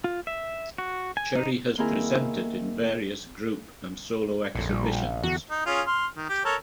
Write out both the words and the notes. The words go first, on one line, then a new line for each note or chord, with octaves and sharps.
Cherry has presented in various group and solo exhibitions.
F4
E5
F#4
G#5
D#4
D#3 A#3 C4 E4 G#4 A#4
A#1 F2 A2
A#2 G3
E2 D3 F#4
D#4
C#4 F4 G#4
C6 F6
D#3
G4
A4 A#4 C#5